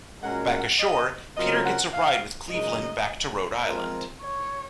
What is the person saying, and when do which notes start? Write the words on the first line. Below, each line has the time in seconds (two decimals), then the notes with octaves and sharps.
Back ashore, Peter gets a ride with Cleveland back to Rhode Island.
0.22 A#2 G#3 C#4 F#4 A#4 F#5
0.51 F#5
0.80 D#5
1.37 C#3 F#3 C4 F4 A#4 D#5
1.66 F#5
1.93 F5
2.50 F#2 C#3 G#3 D#4 D#5
3.65 F3 G#3 C4 F4 A#4
4.21 C#5